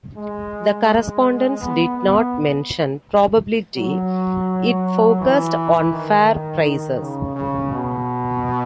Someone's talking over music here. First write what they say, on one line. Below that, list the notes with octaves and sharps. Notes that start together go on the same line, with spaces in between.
The correspondence did not mention "probability"; It focused on fair prices.
G#3
B3
B3
F#3
E3
D#3
D#3
C#3
C#3
B2